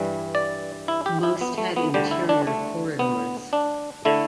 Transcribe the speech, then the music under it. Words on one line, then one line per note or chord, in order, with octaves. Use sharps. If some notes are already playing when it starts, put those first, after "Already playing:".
Most had interior corridors.
Already playing: G2 E3 G3
D5
E4
G4
E4
B3
A3
B3
D2 D3 G3 G4
E4
D4
A3
B3
D4
D3 A3 E4